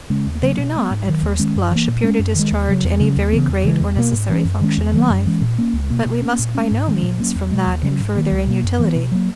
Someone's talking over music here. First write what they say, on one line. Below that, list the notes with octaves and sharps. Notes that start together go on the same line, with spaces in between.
They do not, at first blush, appear to discharge any very great or necessary function in life; but we must by no means, from that, infer their inutility.
C#3 G#3 C#4
D#2
C#3 F#3 A#3
B2
G#3 B3
G#2
D#3 F#3
D#2
D#3 G#3 C#4
F#2
E3 A#3
A#2
G#3 C#4
F#2
D#3 G#3
D#2
C#3 F#3
E2
C#3 F#3 C#4
D#2
C#3 E3 B3
E2
C#3 E3 G#3
E2
B2 A#3
G#2
E3 G#3 C#4
F#2
D#3 G#3 C#4
E2
D#3 F#3 A#3
F#2
E3 G#3 C#4
A#2
A#3 C#4
C#2
B2 A#3
B2
A#3 C#4
A#2
G#3 C#4
G#2
D#3 G#3 C#4
A#2
F#3 A#3 C#4
E2
B2 G#3
D#2
C#3 F#3 C#4
G#2
D#3 A#3
C#2
B2 A#3
F#2
E3 B3
B2
F#3 A#3